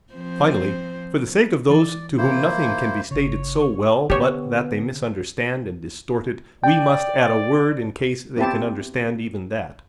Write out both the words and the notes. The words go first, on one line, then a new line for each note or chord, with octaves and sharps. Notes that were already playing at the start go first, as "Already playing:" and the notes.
Finally, for the sake of those to whom nothing can be stated so well but that they misunderstand and distort it, we must add a word, in case they can understand even that.
F3 C4 C5
E3 D5
A#3 E4 C5
G1 C#3 C#5
C#6
D3 B3 G4 C#5
D5 G5
B3 C4 E4 G4 A5